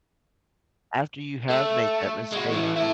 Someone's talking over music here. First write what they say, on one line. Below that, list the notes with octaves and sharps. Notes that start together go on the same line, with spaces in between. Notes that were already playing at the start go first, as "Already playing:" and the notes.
after you have made that mistake
A3
G#3 F#4
E3 A3
E4 A4